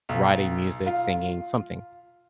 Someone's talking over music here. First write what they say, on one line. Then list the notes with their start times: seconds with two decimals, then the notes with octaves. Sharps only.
writing music, singing, something,
0.09 B1
0.86 F4